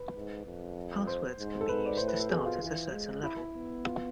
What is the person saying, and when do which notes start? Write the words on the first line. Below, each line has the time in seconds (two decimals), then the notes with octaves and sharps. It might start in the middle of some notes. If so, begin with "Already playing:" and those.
Passwords can be used to start at a certain level.
Already playing: B4
0.15 G#2
0.46 F2
1.07 C5
1.39 G#2
1.61 A4
1.69 G#2 B4
1.86 D5
1.97 A2 C5
2.08 B4
2.19 A4
2.30 B2 G#4
2.45 F4
2.61 E3 F4
2.92 G#3
3.23 E4
3.53 B3
3.85 F4